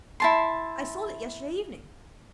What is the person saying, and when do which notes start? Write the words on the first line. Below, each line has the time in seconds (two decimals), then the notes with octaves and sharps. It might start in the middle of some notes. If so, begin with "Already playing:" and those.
I sold it yesterday evening.'
0.20 E4 A5 C6